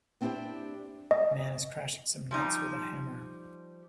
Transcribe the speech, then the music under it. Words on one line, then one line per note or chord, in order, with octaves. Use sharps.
Man is crashing some nuts with a hammer.
B3 C4 D4 E4 G4 C5
D#5
F3 G3 D#4